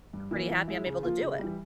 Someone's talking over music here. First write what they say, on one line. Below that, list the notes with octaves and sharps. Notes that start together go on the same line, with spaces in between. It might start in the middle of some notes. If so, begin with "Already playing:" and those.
I'm pretty happy I'm able to do it.
G2
E3 A#3
E3
G#3 E4
C#3
F3 A#3 F4
C#3
E3 G3